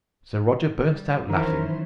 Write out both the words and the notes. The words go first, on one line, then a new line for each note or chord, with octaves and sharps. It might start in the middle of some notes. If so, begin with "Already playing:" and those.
So Roger burst out laughing.
G3
D#3 E3 F#3 C#4 E4 A#4 C5